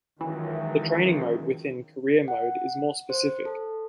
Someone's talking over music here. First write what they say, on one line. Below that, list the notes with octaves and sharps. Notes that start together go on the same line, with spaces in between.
The training mode within Career Mode is more specific.
C#2 F#2 D#3 E3
F#5
C5
A4